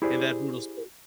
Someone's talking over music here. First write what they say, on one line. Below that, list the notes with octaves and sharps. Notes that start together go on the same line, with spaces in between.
in that brutal sport
E4 G4 G#4 C5 D5